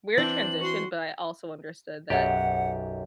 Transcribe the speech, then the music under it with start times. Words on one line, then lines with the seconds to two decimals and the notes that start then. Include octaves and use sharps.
weird transition, but I also understood that
0.18 E3 C4 D4 C5 F#7
0.60 F#4 C6
2.10 B1 F#2 G4 F#5